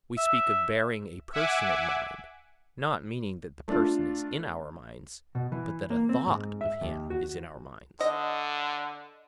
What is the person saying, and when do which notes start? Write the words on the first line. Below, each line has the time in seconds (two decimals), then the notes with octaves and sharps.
We speak of bearing a person in mind, not meaning that the person is in our minds, but that a thought of him is in our minds.
0.18 E5
1.32 E5 F#5 G#5 D6
3.68 A3 D4 F4
5.35 B2
5.52 E3
5.90 A#3
6.09 C4
6.27 G#2
6.61 E5
6.81 D#2
7.10 F#4
8.01 D3 D#5